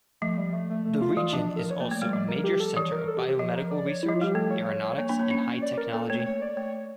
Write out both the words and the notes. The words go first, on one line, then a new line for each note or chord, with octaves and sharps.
The region is also a major center of biomedical research, aeronautics, and high technology.
F3 A3
G3
A3
A3
A3
F4
E3 F4
F3 D4
A4
A#4
C#5
A#3 D5
A3 D5
G3
F3 D5
A#4
G4
A4
E3 C#5
A#4
A4
G4
G4
F3 C#5
A#4
D5
C#5
E4
F3
F4
G3 G4
A3 A4
C#5
C#5
C#5
A#3
A#3 D4
A#3
C#4
D5
A#4
A#3 A4
A3 C#5
C#5
D5
A3 C#5